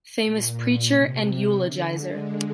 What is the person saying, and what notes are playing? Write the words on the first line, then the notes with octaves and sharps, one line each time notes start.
Famous preacher and eulogizer.
A#2
A#2
C3
D3
G#3